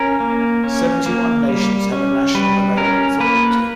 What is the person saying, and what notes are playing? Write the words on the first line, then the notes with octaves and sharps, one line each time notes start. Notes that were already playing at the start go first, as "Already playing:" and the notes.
Seventy-one nations have a national American football team.
Already playing: C#4 A#4
A#3
C#4
A#3
G3
C#4
G3 B4
C#4 A#4
A#3 B4